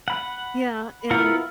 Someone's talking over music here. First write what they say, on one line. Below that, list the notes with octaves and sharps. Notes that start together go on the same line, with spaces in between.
Yeah, and
F#5 B5
B3 E4 F4 A#4 F#5